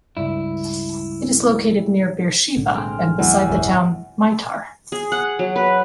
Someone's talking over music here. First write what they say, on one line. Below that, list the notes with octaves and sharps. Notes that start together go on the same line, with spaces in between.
It is located near Beersheba and beside the town Meitar.
C#2 G2 E4
B1 A2 D3
G#3 C4 F6
E2 F#3 G#3
D#1 G#1 F#2
G#4
F#5
F#3
B4